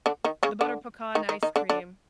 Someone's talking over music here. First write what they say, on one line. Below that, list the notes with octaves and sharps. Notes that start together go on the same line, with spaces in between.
the butter pecan ice cream.
D3 D4
D#3 D#4
C#3 C#4
D3 D4
D#3 D#4
D#3 D#4
D#3 D#4
D3 D4
D3 D4